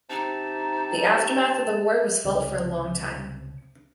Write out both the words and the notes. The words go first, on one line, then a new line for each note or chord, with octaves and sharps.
The aftermath of the war was felt for a long time.
C3 D#4 A5
C#2 C3